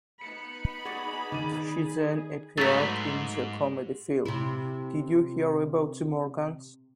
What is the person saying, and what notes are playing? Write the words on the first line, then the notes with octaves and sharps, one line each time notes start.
She then appeared in the comedy film Did You Hear About the Morgans?
B3 D#4 B5 C#7
F#4 G#4 D5
D#3 D5 D#7
G#2 F#3 A3 B3 A6 B6
C3 E4